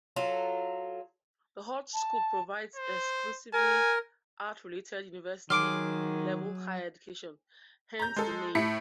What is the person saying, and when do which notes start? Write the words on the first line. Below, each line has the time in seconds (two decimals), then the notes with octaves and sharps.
The Hogeschool provides exclusively art-related university-level higher education, hence the name.
0.16 F#3 F4 A4
1.95 A5
2.76 C5
3.53 A#4 G#5
5.50 D#3 F#3 G#4 C6 D6 F6 D7
7.99 A#5 G6
8.16 G#3 A4
8.55 A2 E4 B6 C#7